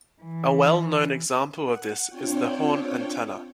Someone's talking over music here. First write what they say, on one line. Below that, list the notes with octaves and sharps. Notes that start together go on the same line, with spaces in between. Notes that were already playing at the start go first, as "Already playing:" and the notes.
A well-known example of this is the horn antenna.
E3
F#5
C4 D4 F4 C#5 G5